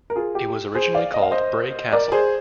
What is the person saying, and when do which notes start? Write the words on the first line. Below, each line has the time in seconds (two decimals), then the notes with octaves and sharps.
It was originally called Bray Castle.
0.10 A#4
0.16 F4 G#4
0.35 G4
0.75 G#4 C5
0.95 D5 F5
1.14 D#5
1.23 F5
1.31 C5 D#5
1.92 A#4 D5
2.12 G#4 C5